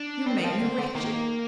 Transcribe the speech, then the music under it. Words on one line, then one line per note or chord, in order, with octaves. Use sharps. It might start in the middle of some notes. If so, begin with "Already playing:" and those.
You make me wretched.
Already playing: D4
G3 C4
D#3
F3
D3
D3
D#3 A#3